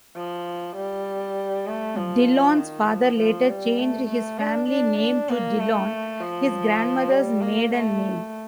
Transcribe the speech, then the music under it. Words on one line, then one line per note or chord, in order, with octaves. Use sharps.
Dillon's father later changed his family name to Dillon, his grandmother's maiden name.
F3
G3
A3
F3
D#3
F3
F3
G3
A3
A3
D4
D4
D4
A#3
A3
F3
G3
A#3
A3